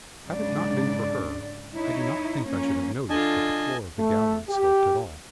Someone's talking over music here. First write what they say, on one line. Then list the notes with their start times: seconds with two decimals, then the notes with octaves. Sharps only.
Had it not been for her I do not think I should have noticed that the floor of the gallery sloped at all.
0.27 G#2 C#3 F#3 D4 D5
1.75 D#4 E4 C#5
2.46 F3 A#3 C#4
3.10 D3 D4 F4 D#5 G#5 A5
3.99 A3
4.48 G4